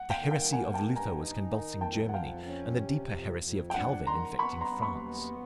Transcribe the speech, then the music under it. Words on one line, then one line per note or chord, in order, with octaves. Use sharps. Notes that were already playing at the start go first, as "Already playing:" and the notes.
The heresy of Luther was convulsing Germany, and the deeper heresy of Calvin infecting France.
Already playing: F#5
F5 G5
D#3
F5 G5
A#3 F#5 G#5
G5 A5
G2
G#5 A#5
D#4
D#3
F2 G5 A5
F#5
F2 F5 G5
C#4
C3
F2
F2
G5
D4 F#5
D#3 A#5 C6
B3 B5 C#6
A#5 C6
D#2
B5 C#6
B3